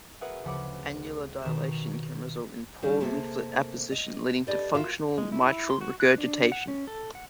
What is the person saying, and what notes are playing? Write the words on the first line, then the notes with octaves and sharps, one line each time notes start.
Annular dilatation can result in poor leaflet apposition, leading to functional mitral regurgitation.
F#4 G#4 A#4 B4 E5 F#5
D2 C#3 F3 F#5 B5 D6
B2 D#3 C#6 E7
D#3 G3 C#4
C3 A3 A#3 G#4 A4
D#5
D4 G4 A4 B4 D5 D#5
F4 F#4 A#4 E5 F5
G#3
E4
C6
F#4
F#6
D4
F#5
C#4
A4
F#5